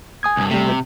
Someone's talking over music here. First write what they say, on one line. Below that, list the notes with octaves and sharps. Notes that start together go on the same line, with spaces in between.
he would,
G#5 D#6 G#6
C2 G2
C3 G3 A3